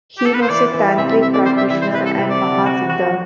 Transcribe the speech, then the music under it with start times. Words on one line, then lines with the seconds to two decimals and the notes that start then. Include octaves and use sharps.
He was a tantric practitioner and mahasiddha.
0.18 G4
0.26 A4
0.34 B4
0.42 C5
0.50 E3 D5
0.74 E3
0.98 C3 E5
1.10 E5
1.22 C2 E5
1.34 D5
1.46 G3 C5
1.58 E5
1.70 E3 E5
1.82 C5
1.94 C2 B4
2.06 A4
2.18 C3
2.30 D5
2.42 D3
2.66 F#4
2.90 F#4